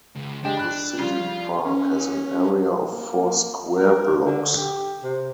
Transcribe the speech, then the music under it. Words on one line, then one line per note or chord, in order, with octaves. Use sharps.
The city park has an area of four square blocks.
C#2
G#3 D4 G4
B5 F#6
C#3 F3 G3 F4 F5
C#4
A#3
A#4
D3
G4
C3